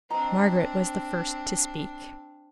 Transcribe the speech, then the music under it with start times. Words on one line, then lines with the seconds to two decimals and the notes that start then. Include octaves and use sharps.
Margaret was the first to speak.
0.10 C4 D4 D#5 A#5